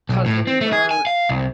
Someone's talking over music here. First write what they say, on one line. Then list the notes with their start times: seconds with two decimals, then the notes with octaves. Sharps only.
cousins are
0.09 B1
0.26 A2
0.47 C4
0.61 A3
0.73 G#4
0.91 G#5
1.07 F5
1.29 C2